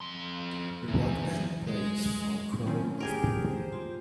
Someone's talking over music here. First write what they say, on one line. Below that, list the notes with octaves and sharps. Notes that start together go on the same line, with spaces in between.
A rock band plays for a crowd of people.
F2 C6
E2 E3
G#3
D#3 F#3 C4 C#4
A3
G4 G#4 A#4
C5
F4 C6